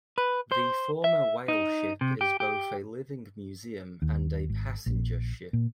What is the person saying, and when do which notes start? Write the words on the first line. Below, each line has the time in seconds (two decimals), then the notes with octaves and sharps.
The former whale ship is both a living museum and a passenger ship.
0.18 B4
0.52 C5
1.04 E5
1.48 D#4
2.01 C3
2.21 G4
2.40 G4
4.02 D#2
4.49 G#1
4.86 A#1
5.53 A#2